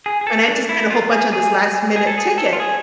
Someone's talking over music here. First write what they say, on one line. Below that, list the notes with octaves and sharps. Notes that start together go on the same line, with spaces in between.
And I just spent a whole bunch on this last minute ticket.
G#4
G#4
A4
D4
E4
F4
G#4
G#4
G#4
A4
G#4
A4
F4
G#4